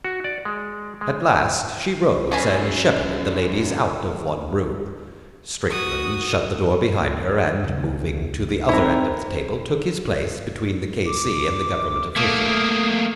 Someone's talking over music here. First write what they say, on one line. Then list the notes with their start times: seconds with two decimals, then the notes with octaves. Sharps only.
At last she rose and shepherded the ladies out of one room. Strickland shut the door behind her, and, moving to the other end of the table, took his place between the K.C. and the Government official.
0.04 F#4
0.24 D5
0.45 G#3
1.01 G#3
2.32 F#2 C#4 B4 G#5
5.70 F#4 D#6
7.64 C#2
8.69 C4 D#4 E4 A#4 C5
11.06 D6
12.16 A3 A#3 D#6